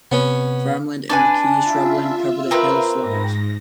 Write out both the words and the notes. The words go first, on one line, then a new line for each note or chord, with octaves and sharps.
Farmland and maquis shrubland cover the hill slopes.
C3 B3 C#4
D4 B4 G#5
F4 E5
C4 A#4 B4
G#2 A#6